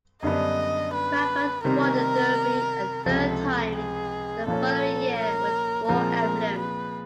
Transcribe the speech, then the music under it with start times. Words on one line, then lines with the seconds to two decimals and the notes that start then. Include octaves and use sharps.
Baffert won the Derby a third time the following year with War Emblem.
0.23 F#2 D3 G3 B3 D4 D#5
0.94 B4
1.64 C3 D#3 G3 C4 A#4
3.06 C#2 C3 F3 A4
3.76 G#4
4.47 A#2 F3 A#3 C#4 A4
5.18 A#4
5.88 A#2 F3 G#3 C4 A#4
6.58 B4